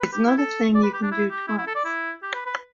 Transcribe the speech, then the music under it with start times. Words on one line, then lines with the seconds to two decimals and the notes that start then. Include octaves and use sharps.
It's not a thing you can do twice.
0.01 B4
0.13 G4
0.26 E4
0.38 A4
0.75 D5
0.83 B4
0.94 G4
1.02 D4
1.11 E4
1.31 G4
1.48 E4
1.58 E4
1.67 A4
1.75 D5
1.85 E4
2.23 G4
2.34 B4
2.46 B4